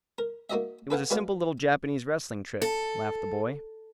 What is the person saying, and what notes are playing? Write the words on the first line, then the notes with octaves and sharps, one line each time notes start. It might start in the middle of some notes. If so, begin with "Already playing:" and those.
"It was a simple little Japanese wrestling trick," laughed the boy.
A#4
A#3 D#4 F#4 D#5 E5
A4 B4 F5 F#5
G#3 F#4 B4 D5 F5
A4